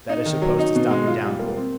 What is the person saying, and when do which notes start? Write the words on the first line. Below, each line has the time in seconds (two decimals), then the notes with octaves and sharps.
That is supposed to stop the downpour.
0.09 D#4
0.26 D#3
0.42 F#3
0.59 D#4
0.75 B2
0.91 G#3
1.07 F4
1.24 G3
1.39 A#3
1.57 C4